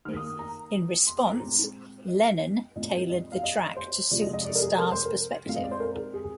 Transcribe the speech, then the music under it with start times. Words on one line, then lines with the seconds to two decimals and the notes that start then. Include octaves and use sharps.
In response, Lennon tailored the track to suit Starr's perspective.
0.05 D#3 A#3 F6
0.17 D#6
0.39 A#5
1.07 C6
1.18 D6
1.30 A#5
1.40 A#2 G#3 C4 C5
2.08 D#5
2.76 A#2 G#3 C4 D#5
3.09 D#5
3.32 F5
3.43 D#5
3.77 C5
4.11 C3 F3 G#3 D5
4.21 D#5
4.33 D#5
4.45 D5
4.55 A#4
4.61 G#4
4.78 A#4
4.91 C5
5.05 A#4
5.46 A#2 G#3 C4 F5
5.56 D#5
5.64 D5
5.71 C5
5.80 A#4
6.14 G#4